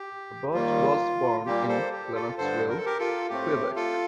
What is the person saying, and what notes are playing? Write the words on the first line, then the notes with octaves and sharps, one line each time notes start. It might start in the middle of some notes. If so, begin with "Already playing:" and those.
Abbott was born in Lennoxville, Quebec.
Already playing: G4
D#2 D#3 G3 A#3 F4
A#2 G3 A#3 G4
A4 C5
G4
F4 A4
G2 D3 G3 A4 C5
A#4
A4
G4 A#4
F4 A4
A2 A3 C4 G4
F4 A4